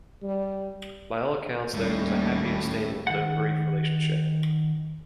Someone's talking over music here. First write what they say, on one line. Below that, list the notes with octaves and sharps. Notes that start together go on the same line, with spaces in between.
By all accounts, theirs was a happy and stable, though brief, relationship.
G3
D#2 A2 G3 A3 C#4
D#3 F#5